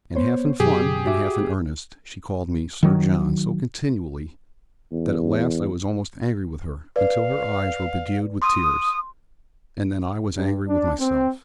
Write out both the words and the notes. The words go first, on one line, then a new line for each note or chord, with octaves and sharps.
And half in fun, and half in earnest, she called me 'Sir John' so continually, that at last I was almost angry with her; until her eyes were bedewed with tears; and then I was angry with myself.
B3 C5 C#5
F#2 B2 G4 G#4
F#4 E5 D6
D#3 F#3
E2
B4 D5 F5
C6 D#6
G2
D4
C4